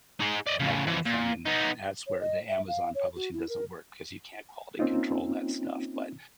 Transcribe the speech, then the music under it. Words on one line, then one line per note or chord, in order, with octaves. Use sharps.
and that kinda thing, and that's where the Amazon publishing doesn't work 'cause you can't quality control that stuff, but,
D#4 G#4
D5 D#5
A2 C#3
E3 F3
A#2
B3 D#4
C#5
D#5
E5
F5
C#5
F#4
E4
A#4
A#3 C4 C#4 D#4 F4